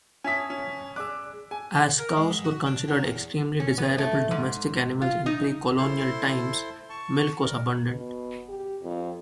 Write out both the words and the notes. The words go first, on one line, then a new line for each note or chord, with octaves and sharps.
As cows were considered extremely desirable domestic animals in precolonial times, milk was abundant.
C#4 E5 G#5 A5 D#6 B6
C#4
G#4 D5 D6 E6 F#6
G#4 G#5
A#4
G#3
G#2
F#4
D4
F#3
E2
C#4
B3
A3
G#2
F4
D#4
E4 A4 C5 C6
A5 C#6
G3 A#4
B2
G4
F2